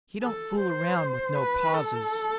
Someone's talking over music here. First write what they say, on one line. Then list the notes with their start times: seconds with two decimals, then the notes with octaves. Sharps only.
He don't fool around with no pauses.
0.22 A4
0.59 C5
1.35 B4
1.74 A4